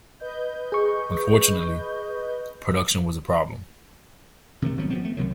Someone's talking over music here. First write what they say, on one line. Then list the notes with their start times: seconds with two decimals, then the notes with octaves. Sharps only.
Unfortunately, production was a problem.
0.20 B4 D#5 G6
0.72 G#4 C#6
4.62 C3 D#3 F3 A3
4.77 G#1 F3 F#3 B3
4.90 F3 G3 B3 C4
5.05 A3
5.17 C2 C3 D#3 F#3